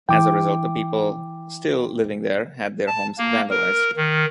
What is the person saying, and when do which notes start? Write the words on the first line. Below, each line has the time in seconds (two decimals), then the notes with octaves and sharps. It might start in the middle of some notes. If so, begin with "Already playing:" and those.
As a result, the people still living there had their homes vandalized.
0.09 E3 G5 D6
2.87 A5
3.19 A#3
3.51 A#4
3.97 D#3